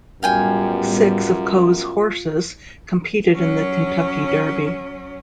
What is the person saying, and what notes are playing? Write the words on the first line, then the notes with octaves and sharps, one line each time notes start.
Six of Coe's horses competed in the Kentucky Derby.
F#2 A2 G3 B3 F4 F5 G5 G#5
F#3 C#4